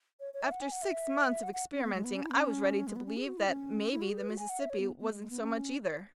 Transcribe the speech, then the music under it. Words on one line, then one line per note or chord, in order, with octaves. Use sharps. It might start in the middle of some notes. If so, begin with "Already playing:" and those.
After six months of experimenting I was ready to believe that maybe the Mississippi wasn't so much either.
C#5
C#5
E5
F#5
G#5
F#5
E5
F#5
F#5
C#4
B3
G#3
B3
C#4
E4
B3
C#4
G#3
B3
C#4
G#4
F#4
E4
C#4
E4
F#4
G#4
B4
F#4
G#5
F#5
E5
C#5
B3
B3
G#3
G#3
B3
C#4